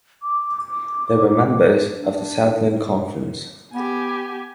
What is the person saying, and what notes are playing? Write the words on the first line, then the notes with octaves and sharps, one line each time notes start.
They were members of the Southland Conference.
D6
D6
D4
B3 G4 G#5